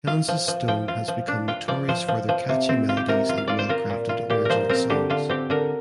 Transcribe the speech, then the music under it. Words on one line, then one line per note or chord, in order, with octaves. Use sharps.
Kansas stone has become notorious for their catchy melodies and well crafted original songs.
F4 F5
F3
F3
F3 G5
F4
F3
D4
F4 G5
F3 D5
F3 C5
F3
F3
C3
C4
F4
G4
C3 A#4
F4
F5
F4 D5
C5
F4 A#4
A#2
F4
A#2 G4
F3 A#4 C5
C4 A#4
D3 G4
D3 F4
C4 G4
D3 A#4